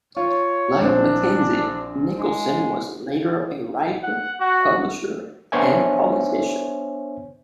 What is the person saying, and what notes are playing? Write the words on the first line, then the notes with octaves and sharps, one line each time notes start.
Like MacKenzie, Nicolson was later a writer, publisher and politician.
F4 C#5
A#1 C4 D4 C5
G#3
F#5
F#4
B3 D4 C5 C#5 E5 G#5